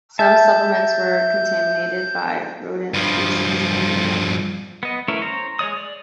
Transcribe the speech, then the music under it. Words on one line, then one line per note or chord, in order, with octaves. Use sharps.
Some supplements were contaminated by rodent feces and urine.
E5 A5 G6
G2 F3
B3 D#5
A3 C#4 E4 A#4 B4
C5 C#5 A#5
G#3 C#5 D5 D#6
D5